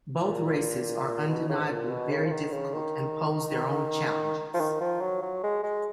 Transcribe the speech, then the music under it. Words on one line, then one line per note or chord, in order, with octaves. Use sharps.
Both races are undeniably very difficult and pose their own challenges.
A#2
A#2
B2
C#3
G#2
A#2
B2
C#3
F3
D#3
C#3
D#3
F3
D#3
F3
F#3
F#3
G#3
G#3